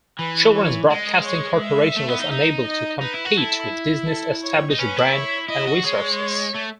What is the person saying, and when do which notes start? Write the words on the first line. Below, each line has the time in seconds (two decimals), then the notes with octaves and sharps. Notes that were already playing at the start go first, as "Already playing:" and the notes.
Children's Broadcasting Corporation was unable to compete with Disney's established brand and resources.
0.19 E3 B4
0.55 C#5
0.90 G#3 D#5
1.25 C#5
1.61 E5
1.96 A3
2.08 B3
2.19 D#4
2.31 D#4
2.66 D#5
3.01 D#4 B4
3.14 E4
3.25 F#4
3.37 E4 A4
4.08 A4
4.43 C#5
4.70 D#4
4.78 C#4 B4
4.97 E4
5.13 C#5
5.48 E4 D#5
5.67 F#4
5.84 G#3 C#5
6.55 A3